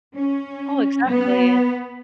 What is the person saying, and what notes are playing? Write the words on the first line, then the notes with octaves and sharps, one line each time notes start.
Oh, exactly.
C#4
B3